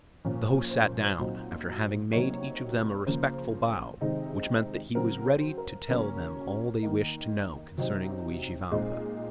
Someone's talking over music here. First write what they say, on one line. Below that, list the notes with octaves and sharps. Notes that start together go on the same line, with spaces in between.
The host sat down, after having made each of them a respectful bow, which meant that he was ready to tell them all they wished to know concerning Luigi Vampa.
A#2 F3 A#3 C#4
C5
A#2 F#3 C4 D#4
C3 F#3 A#3 D#4 C#5
C#3 F3 A#3 C5
C3 D#3 G#3 C4 D#4
C#3 F#3 C4 A#4
C5
A#4
C#3 F#3 A#3 C#4 A#4
D#3 A#3 D#4
C3 F#3 C4 D#4
A#2 G#3 C4 D#4